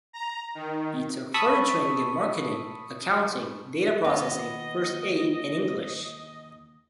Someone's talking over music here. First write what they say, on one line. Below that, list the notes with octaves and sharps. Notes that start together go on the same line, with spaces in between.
He took further training in marketing, accounting, data processing, first aid and English.
A#5
D#3
A5 B5 C#6 D#6 E6 B6
D#2 B3 B4 D#5